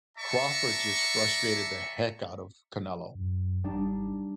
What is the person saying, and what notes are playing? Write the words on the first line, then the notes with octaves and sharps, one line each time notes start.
Crawford just frustrated the heck out of Canelo.
D5 E5 A5 A#5 C#6
F#2
G#1 G3 D4 D#4